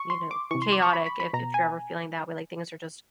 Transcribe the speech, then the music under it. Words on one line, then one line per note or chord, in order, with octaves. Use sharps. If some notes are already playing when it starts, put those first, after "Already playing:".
you know, chaotic if if you're ever feeling that way, like things are just,
Already playing: C#6
C6
D6
C3 E3 C#6
C6
D6
C#6
B5
B5
B5
B2 A#5
G#5